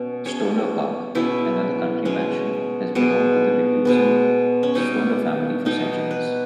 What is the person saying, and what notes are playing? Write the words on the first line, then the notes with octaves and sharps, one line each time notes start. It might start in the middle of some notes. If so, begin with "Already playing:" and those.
Stonor Park, another country mansion, has belonged to the recusant Stonor family for centuries.
Already playing: B2 C#4
B2 G#3 C#4 C#5
B2 G#3 C#4 E4
B2 G#3 C#4
B2 G#3 B3
B2 G#3 B3
C#4
B2 G3 B3 D#4
B2 G3 B3 D#4
B4